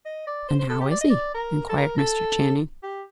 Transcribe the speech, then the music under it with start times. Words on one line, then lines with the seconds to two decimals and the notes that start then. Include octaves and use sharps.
"And how is he?" inquired Mr. Channing.
0.05 D#5
0.27 D5
0.49 C5
0.59 C5
0.69 A4
0.81 G4
0.91 D5
1.01 D#5
1.10 D5
1.34 A#4
1.70 A4
1.77 A#4
1.98 A4
2.83 G4